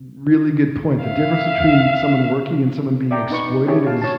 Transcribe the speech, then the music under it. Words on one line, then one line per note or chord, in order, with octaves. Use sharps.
really good point. The difference between someone working and someone being exploited is
E5 F5
D5 E5 G5 A#5
D#4 B4 C#6
C#4 D4 E4 G4 G#4 C#5
F5 A5
C#5 A5